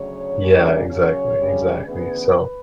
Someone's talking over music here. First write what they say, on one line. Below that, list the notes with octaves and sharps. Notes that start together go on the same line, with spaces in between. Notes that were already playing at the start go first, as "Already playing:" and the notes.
Yeah, exactly, exactly, so,
Already playing: D2 C#3 F#3 C#5
D2 D3 G3 A#3 C#4
C#3 F#3 C#4 C#5
D2 C#3 G3 C#4
D2 C#3 E3 B3 B4